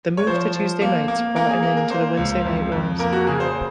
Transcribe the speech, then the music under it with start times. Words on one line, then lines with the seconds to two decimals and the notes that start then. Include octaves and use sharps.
The move to Tuesday nights brought an end to the Wednesday Night Wars.
0.17 C#5
0.27 F3 C5
0.54 F3
0.82 A#3
1.08 A#3
1.36 A#3 A#4
1.49 G#4
1.63 A#3
1.77 A#4
1.90 A#3 C5
2.17 C#2
2.44 F2
2.72 F2
2.99 A#3 A#4
3.12 F#4
3.27 C#3 G#4
3.40 C5